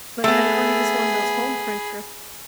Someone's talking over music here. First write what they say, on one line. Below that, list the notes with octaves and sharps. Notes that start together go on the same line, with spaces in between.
Like, I know how to use one of those home printers
A3 B3 G#4 B5